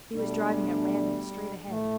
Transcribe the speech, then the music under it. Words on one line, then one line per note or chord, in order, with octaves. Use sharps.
He was driving at random, straight ahead.
B2 G3 A3 D4
A2 A3